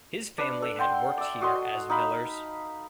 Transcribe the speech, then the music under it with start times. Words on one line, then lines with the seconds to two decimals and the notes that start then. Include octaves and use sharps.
His family had worked here as millers.
0.38 D4 B4
0.62 A4
0.79 F#5 G5 C6
1.18 D5 E5
1.41 F#4 D#5 C6
1.90 D#4 F5 B5